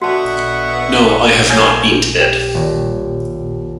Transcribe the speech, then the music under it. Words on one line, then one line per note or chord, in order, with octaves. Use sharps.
No, I have not been to bed.
B2 D3 B3 F#4 E5 F#5 A5 C#6
F#3 A#3 G#5 G6 G#6
G4
D#1